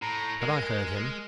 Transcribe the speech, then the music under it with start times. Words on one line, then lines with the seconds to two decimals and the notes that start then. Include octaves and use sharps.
Had I heard him?
0.02 A2 A#5
0.41 G#3 A#4